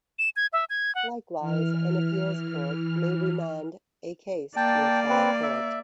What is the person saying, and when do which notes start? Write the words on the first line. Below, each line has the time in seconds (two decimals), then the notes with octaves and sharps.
Likewise, an appeals court may remand a case to a trial court.
0.19 E7
0.36 G#6
0.53 E5
0.70 G#6
0.95 F#5
1.40 E3 F6
4.56 A#3 D5 G5 A5
5.10 C4 B4
5.43 E5